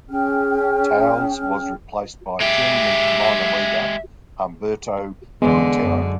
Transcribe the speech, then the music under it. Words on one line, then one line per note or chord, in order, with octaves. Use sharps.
Towles was replaced by journeyman minor-leaguer Humberto Quintero.
C#4 G#4 G5 F6
G#3 G4 E5
E2 D3 G#3 B3
F#2